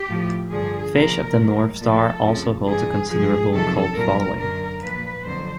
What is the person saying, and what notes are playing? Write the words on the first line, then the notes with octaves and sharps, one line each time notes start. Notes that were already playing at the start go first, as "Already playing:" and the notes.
"Fist of the North Star" also holds a considerable cult following.
Already playing: G4
A2 F3
G2 D3 F3 G#4
A#2 F3 A#4
G#2 D#3 F#3
A#2 F3 A4
F2 C#3 F3
G2 E3 G#4
G#2 F3 G#4
F2 C3 D#3 F#3 A4
A#2 F#3 A#4
F#2 D3 F#3 A#4
A#2 F3 B4
F2 D3 F#3 C5